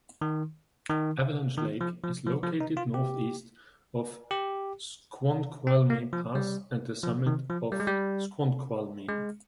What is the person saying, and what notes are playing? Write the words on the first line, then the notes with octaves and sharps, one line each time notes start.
Avalanche Lake is located northeast of Snoqualmie Pass and The Summit at Snoqualmie.
D#3
D#3
D#3
F3
F3
F3
F3
D#4
F4
G4
G4
C4
A#3
F3
G3
F3
D#3
F3
G3
G#3
G3
G#3